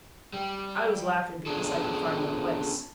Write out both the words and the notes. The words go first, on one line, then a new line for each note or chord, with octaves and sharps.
"I was laughing because I could find the place."
G3
B3 C#4 D4 F4 G#4 A4